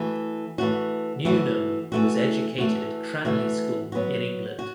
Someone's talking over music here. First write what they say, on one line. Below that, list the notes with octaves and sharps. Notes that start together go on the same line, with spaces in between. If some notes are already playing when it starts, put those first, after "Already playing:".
Newnham was educated at Cranleigh School in England.
Already playing: E3 A3 F#4
E3 A3 F#4
E3 A3 F#4
E3 A3 F#4
E3 A3 F#4
E3 A3 F#4
F#3 B3 F#4
F#4